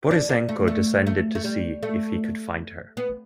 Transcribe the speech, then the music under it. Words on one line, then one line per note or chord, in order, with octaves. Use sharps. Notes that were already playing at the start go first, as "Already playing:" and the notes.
Borisenko descended to see if he could find her.
D4
D4
A3
A3
A3
A3
G3
A3
B3